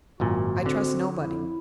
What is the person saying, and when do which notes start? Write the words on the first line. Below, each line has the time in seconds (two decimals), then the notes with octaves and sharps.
I trust nobody.
0.20 G#1 F#2 A#2 F#4
0.66 D3 C4
1.20 F2 E4